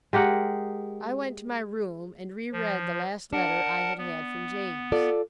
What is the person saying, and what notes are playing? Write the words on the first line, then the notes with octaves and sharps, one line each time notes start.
I went to my room and re-read the last letter I had had from James.
G#3 G4 A#4 F#5
F3
D4 A#4 F#5 A5
B3
F4 A4 D5